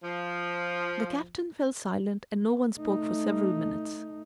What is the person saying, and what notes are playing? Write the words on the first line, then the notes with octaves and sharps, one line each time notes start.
The Captain fell silent and no one spoke for several minutes.
F3
A3 D#4